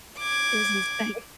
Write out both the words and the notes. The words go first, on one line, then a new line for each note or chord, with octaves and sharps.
It was insane.
D6 G#6